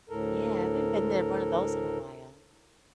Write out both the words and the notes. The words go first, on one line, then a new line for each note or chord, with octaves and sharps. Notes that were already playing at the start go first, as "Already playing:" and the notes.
Yeah, I haven't been there in one of those in a while.
D2 A2 A4 A#4